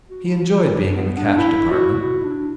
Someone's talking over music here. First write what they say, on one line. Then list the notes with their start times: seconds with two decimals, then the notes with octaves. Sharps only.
He enjoyed being in the Cash Department.
0.09 F#4
0.24 E4
0.41 F#4
0.58 E4
0.74 D4
0.95 B3
1.17 D4
1.37 E4
1.70 F#4
2.02 E4
2.17 E4
2.24 D4